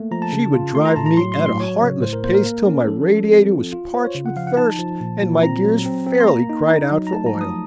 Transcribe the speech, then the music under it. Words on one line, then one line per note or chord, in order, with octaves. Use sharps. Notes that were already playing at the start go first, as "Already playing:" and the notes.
She would drive me at a heartless pace till my radiator was parched with thirst and my gears fairly cried out for oil.
Already playing: A3 A#3
F3 A#5
A5
C#3
F4
A3 C6
A#5
A2 A5
A#5
F#3 C6
C6
A2
C6
F#3 C#5
C#3
A2 C5
A#4
A#3 C5
A#4
A#3
C#4
F3 A4
A4
F3
C4
F4
F4
F4 C5
C#5
C#3
F#5
F3 F5
F#5
D#4 A5
F3
A#2
A#2
C4 A#5
F#3
C4
C4
C6
A#3 A#5
D#4
D#4
F#3
A#5
A3 A5
A#5
F3
D#6